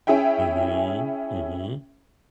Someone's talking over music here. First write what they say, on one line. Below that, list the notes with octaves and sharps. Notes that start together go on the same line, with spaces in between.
Mhm, mhm.
C#4 E4 G#4 E5 G5